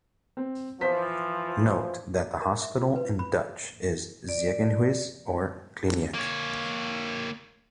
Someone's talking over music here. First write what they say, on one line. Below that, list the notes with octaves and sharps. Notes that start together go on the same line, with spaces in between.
Note that hospital in Dutch is "ziekenhuis" or "kliniek".
C4
E3 F3 C5 B6
A#4
E5
F4
B4
B5
D5
A#3 C#5